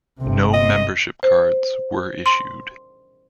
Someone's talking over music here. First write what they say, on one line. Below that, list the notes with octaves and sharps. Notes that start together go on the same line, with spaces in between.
No membership cards were issued.
G1 C3
D#5
C5
C6